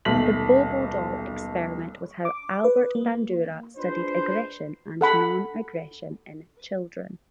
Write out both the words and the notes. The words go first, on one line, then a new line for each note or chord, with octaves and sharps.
The Bobo Doll Experiment was how Albert Bandura studied aggression and non-aggression in children.
D#1 B1 A3 B6 F#7
D6
B4
A#3
G#3 D4 F4 B4 C5
A4 F#5 B5